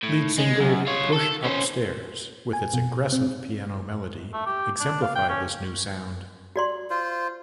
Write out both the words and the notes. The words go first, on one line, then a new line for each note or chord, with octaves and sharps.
Lead single "Push Upstairs", with its aggressive piano melody, exemplified this new sound.
A2
G#3
F#2
F4 C#5
A4
C#4 C5
G#5
B2
C4
A3
G4
D4
F5
G5
C#4
F#4 D5 C6
F4 C5